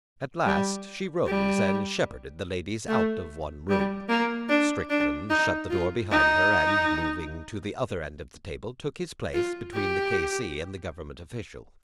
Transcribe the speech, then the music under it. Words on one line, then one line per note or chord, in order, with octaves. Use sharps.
At last she rose and shepherded the ladies out of one room. Strickland shut the door behind her, and, moving to the other end of the table, took his place between the K.C. and the Government official.
G3
G3
A3
G3
A#3
D4
D4
D#4
F4
D#4
F4
G4